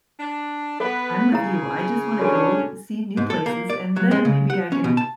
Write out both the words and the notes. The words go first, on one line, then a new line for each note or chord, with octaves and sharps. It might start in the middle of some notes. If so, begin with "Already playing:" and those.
I'm with you, I just wanna go see new places, and then maybe I can,
D4
B3 A4 B4 F#5
C#3 E4 G#4 F5 A#5
C#4 D4 F#4 A4 G#5
G#2
A4
A#3
D5
F#3
G#3
C#3
F#5
C#4
B2
A5